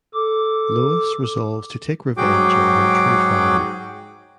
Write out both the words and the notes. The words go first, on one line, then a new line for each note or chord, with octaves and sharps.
Lois resolves to take revenge on her true father.
A4 D6
G#2 F#3 F#4 G#4 G5 D6